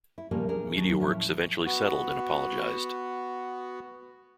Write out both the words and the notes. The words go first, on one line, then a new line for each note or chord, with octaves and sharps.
Mediaworks eventually settled and apologised.
E4
A#2 C#3 F3 G3 A#3 B3
D4 G#4 A#4
D#2 F#3
A2 F3 C#4 E4
B3 F#4